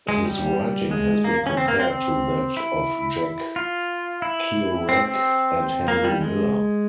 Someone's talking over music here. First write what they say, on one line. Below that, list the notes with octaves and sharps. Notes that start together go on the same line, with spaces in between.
His writing has been compared to that of Jack Kerouac and Henry Miller.
G#3
G3
G#3
A#3
C#4
C4
A#3
C4
C4
E4
F4
E4
C4
C4
A#3
G3
G#3